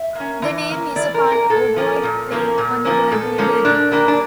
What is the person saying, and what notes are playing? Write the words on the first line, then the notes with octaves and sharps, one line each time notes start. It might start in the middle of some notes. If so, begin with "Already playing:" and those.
The name is a pun or word play on the word "liberty".
Already playing: E5
A#3 C#4
E3
A#3 C#4
E3 D5
A#4
A#3 C#4
A#4
A#2 A4
F3 A#3 C#4
A#2
F3 A#3 C#4
A#2
F3 A#3 C#4
A#2 A4
F3 A#3 C#4
A#2 D4
G3 A#3 D4
D4